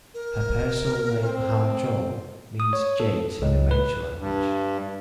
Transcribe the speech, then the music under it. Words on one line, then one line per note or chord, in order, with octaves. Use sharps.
Her personal name, Harjol, means "jade" in the Manchu language.
A#4
C4
D#6
C#5
A4
C#2
B4
G2